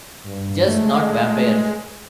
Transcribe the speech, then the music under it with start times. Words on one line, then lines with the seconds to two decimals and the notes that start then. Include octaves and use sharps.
Just not vampires.
0.24 G2
0.67 G#3 A3